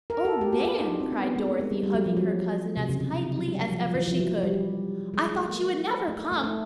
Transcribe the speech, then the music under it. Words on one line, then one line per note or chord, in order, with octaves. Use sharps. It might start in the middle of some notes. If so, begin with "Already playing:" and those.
"Oh, Nan!" cried Dorothy, hugging her cousin as tightly as ever she could, "I thought you would never come!"
A#4
A4
G4
F#4
F4
D#4
D4
C4
B3
A#3
G#3
A#3
G#3
G3
G3
F#3
F3
F#3
C3
C#3
C#3
C3
C#3
F#3
G3
F#3
F3
F3
E3
F3
F#3
G3
G#3
A3
A#3
A3
A3
A3